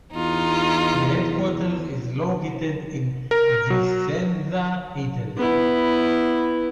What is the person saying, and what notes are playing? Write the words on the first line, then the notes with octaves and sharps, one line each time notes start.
The headquarters is located in Vicenza, Italy.
E2 D#4 F4
A#4
F#3
B3 E4